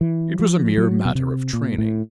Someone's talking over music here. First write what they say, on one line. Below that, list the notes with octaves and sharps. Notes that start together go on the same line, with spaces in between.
It was a mere matter of training.
E3
F3
F#3
B2
C3
A#2
A2